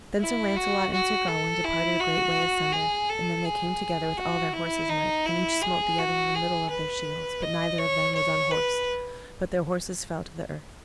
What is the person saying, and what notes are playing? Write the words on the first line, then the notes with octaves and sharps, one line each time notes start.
Then Sir Launcelot and Sir Gawain departed a great way asunder, and then they came together with all their horses' might, and each smote the other in the middle of their shields, but neither of them was unhorsed, but their horses fell to the earth.
E4
F#4
F#4
A4
E4
F#4
G#4
A4
G#4
F#4
E4
D#4
E4
G#4
F#4
G#4
B4
D#5
C#5
C#5
B4